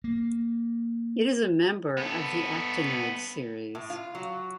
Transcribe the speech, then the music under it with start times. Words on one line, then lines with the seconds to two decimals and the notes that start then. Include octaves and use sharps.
It is a member of the actinide series.
0.04 A#3
1.98 B3 A4
3.75 A2
3.90 F4
4.15 F#3